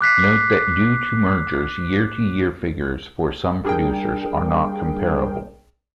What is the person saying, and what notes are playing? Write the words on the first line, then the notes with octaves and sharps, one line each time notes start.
Note that due to mergers, year-to-year figures for some producers are not comparable.
D6 F#6 B6 C7
G3 D4 G#4 A#4 G5